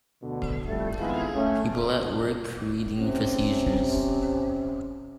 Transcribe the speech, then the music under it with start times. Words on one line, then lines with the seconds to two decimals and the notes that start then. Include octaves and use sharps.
People at work reading procedures.
0.23 D2 B2 D3
0.68 C2 F2 G3 A3
0.99 F2 D#3 G#3 B3 E4 F4
1.36 A3 C#4
2.98 C3 C#4